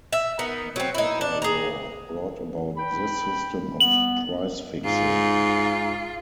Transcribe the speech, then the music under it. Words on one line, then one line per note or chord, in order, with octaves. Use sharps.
The Potter Law brought about this system of price fixing.
E5
B3 D#4 A#4
F#3 C4
D#4 E4
D4
G#4 A#5
B4 G5 B5
G3 B3 F#7
G#2 F4